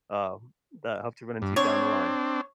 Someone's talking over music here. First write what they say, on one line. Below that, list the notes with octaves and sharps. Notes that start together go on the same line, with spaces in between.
Um, but I hope to run into you down the line.
G2
C4 D4 C#5